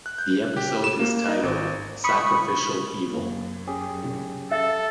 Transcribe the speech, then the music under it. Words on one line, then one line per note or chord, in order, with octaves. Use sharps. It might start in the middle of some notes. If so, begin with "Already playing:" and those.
The episode is titled Sacrificial Evil.
F#6
G6
G4
E7
A#3
D#4
G#1
B5 C#6 D#6
F#2 A#3
C#4 G4 G#4
A4 E5